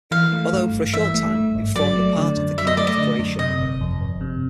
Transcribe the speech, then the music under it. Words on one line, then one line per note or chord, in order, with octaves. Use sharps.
Although, for a short time, it formed a part of the Kingdom of Croatia.
E3 F5
A3
G2
G#1
E3 E5
A3
G2
G#1
F#3 D5
A3
D3
F#2
F#3 E5
D#5
A3 D5
D#5
D3
F#2
C3 D#5
G1
F2
G1
C3